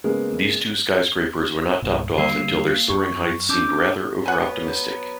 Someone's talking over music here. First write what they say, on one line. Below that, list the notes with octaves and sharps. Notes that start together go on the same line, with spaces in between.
These two skyscrapers were not topped off until their soaring heights seemed rather overoptimistic.
C#3 G#3 A#3 B3
C2 G2 A#2
D3 G3 A#3 C7
F#2 C#6
C#4 D4 D6 G6
F#3 B3 B4 F#5 G#5